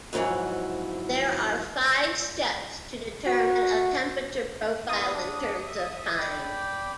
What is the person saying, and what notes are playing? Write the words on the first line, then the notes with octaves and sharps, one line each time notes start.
There are five steps to determine a temperature profile in terms of time.
F2 G#2 D#3 E3 F#3
F#4
B3 E4 F5 D#6
D4
E5
D5 G5 B5